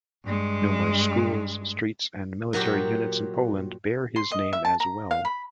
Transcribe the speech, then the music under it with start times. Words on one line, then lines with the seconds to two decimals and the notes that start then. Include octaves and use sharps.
Numerous schools, streets and military units in Poland bear his name as well.
0.25 G2 G#3
2.53 A#2 F#3 F#4 G4
4.16 C6
4.31 D#5
4.53 E5
4.65 A5
4.80 A#5
5.11 F5
5.25 B5